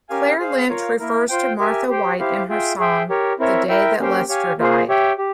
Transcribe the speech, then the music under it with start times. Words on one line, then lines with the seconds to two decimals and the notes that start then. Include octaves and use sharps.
Claire Lynch refers to Martha White in her song The Day That Lester Died.
0.09 C#4 G4 A#4 F5 G#5
0.39 G#4 C5 F5
0.69 F4 A#4 C#5 F5
0.99 A#3 E4 A#4
1.29 F4 C5 G5
1.59 G4 A#4 E5 G#5
1.89 G4 C5 G5
2.19 E4 G4 C5 F5
2.49 F4 G#4 E5 G5
2.79 G#4 E5 G5
3.09 G4 A#4 C#5
3.39 C4 E4 A#4 C#5 E5
3.69 E4 A#4 E5 G5
3.99 A#3 C#4 G4 C5 G5
4.29 G4 C#5 F5 G#5
4.59 A#3 F4 G#4 C5
4.89 G4 C#5 E5 G5
5.18 G4